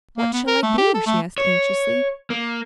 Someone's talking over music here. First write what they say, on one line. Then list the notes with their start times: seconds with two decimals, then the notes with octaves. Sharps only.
"What shall I do?" she asked anxiously.
0.18 A#3
0.33 B3
0.47 A#4
0.63 A3
0.78 G4
0.94 A4
1.06 A3
1.38 C#5
2.30 A#3